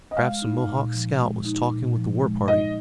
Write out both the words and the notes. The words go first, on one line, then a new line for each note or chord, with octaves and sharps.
"Perhaps a Mohawk scout was talking with the war-party."
D#5
G#3 F5
D#4
A#2
F3
G#3
D#4
A#2
F3
G#3
D#4 D#5